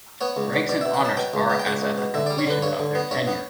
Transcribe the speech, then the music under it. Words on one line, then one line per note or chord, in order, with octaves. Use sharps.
Ranks and honours are as at the completion of their tenure.
B3 C#5
C#2
B2
B2 D5
B2 E5
F#5
F#3 A5
B2 G5
C#2
B3
G5
C#2 F#5
C#2
B2
D3 E5
G3 D5
C#5
D3 B4
G2 C#5
D3
B3
G2 C#5
B3